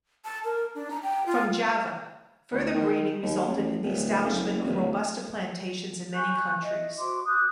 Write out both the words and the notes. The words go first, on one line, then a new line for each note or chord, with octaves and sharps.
From Java, further breeding resulted in the establishment of robusta plantations in many countries.
A5
A#4
D4
A#5
G5
F4
D2
D#3
D#2
A1
D1
F#1
D1
G#5 C#6 F#6 G6
D#5 E5
F#4 C5 C6 D6
D6 D#6 F#6 G6